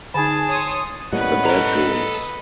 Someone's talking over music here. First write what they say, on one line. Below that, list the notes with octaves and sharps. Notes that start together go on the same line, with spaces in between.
The bedrooms.
D3 D#4 G#4 G#5 A5
C#5 C6 D#6
A2 G3 A#3 B3 C#4 B4 D#5 F#5
A4 A#5